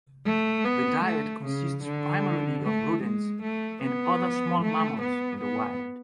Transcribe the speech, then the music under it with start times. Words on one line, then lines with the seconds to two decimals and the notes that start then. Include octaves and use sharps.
The diet consists primarily of rodents and other small mammals in the wild.
0.26 A3
0.65 B3
1.05 A3
1.45 C#3
1.84 D3
2.63 A3
3.03 G#3
3.42 A3
3.83 B3
4.61 A3
5.02 B3
5.41 B3